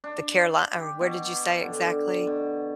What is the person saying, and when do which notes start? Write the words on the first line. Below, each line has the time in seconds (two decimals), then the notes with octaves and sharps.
the Caroli Um, where did you say exactly?
0.04 D4
0.79 G4
1.01 B2
1.63 D3
2.27 B2